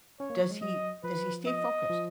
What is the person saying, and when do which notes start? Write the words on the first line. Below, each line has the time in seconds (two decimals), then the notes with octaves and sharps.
does he does he stay focused?
0.20 C#4 C#5
0.30 A#3
0.40 F#3
0.51 G#3
0.61 F#3 D#5
1.04 F3 B4
1.47 D#5
1.90 F3